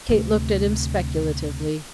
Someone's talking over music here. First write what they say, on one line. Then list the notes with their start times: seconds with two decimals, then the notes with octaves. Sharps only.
Kate looked at him speculatively.
0.09 D2 C3